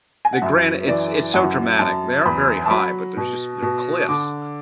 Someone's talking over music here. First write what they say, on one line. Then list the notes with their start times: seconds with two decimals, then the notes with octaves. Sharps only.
the granite, it's it's so dramatic. They aren't very high, but there's just they're cliffs.
0.25 G#5
0.33 F#5
0.42 F#2 E5
0.87 E3 D5
1.34 F#2 F#5
1.79 F#2 A5
2.26 E2 B5
2.66 A5
2.70 F#3 B5
3.17 B2
3.62 B2
4.08 D3 D6